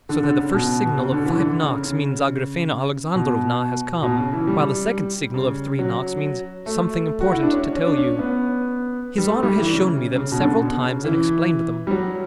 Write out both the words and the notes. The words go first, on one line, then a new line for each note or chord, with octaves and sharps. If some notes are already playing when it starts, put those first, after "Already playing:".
So that the first signal of five knocks means Agrafena Alexandrovna has come, while the second signal of three knocks means 'something important to tell you.' His honor has shown me them several times and explained them.
D3
D3
C#3
B2
B2
C#3
D3
E3
D3
C#3
C#3
B2
B2
C#3
E3
G3
C#3
F#3
A3
F#4
E4
D4
C#4
C#4
D4
C#4
B3
G3
A3
G3
E3
C#3
C#3
B2
D3
C#3
B2
C#3
E3
G3
F#3